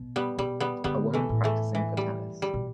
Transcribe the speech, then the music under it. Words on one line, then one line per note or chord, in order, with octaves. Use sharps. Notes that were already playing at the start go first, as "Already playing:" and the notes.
A woman practicing for tennis.
Already playing: B2
G3 B3
B2 G3
G3 B3
D3 G3 B3
E3 A3
A2
E3 A3
E3
G3
G3
B2